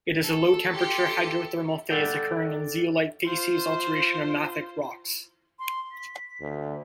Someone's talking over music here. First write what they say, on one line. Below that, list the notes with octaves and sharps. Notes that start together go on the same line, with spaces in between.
It is a low-temperature hydrothermal phase occurring in zeolite facies alteration of mafic rocks.
A4
G4 C6 C#7
A4 D5 F#5 G5
F4 C5
C6
B6
D2